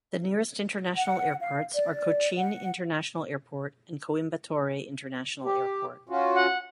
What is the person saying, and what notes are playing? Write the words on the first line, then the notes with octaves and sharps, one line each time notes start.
The nearest international airports are Cochin International Airport and Coimbatore International Airport.
F#5
F5
D5
F#5
G4
C#4 F4 F#4
F#5